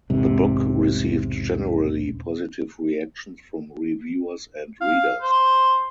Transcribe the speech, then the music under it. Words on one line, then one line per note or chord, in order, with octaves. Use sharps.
The book received generally positive reactions from reviewers and readers.
E1 B1 G#2 C3
F5
C5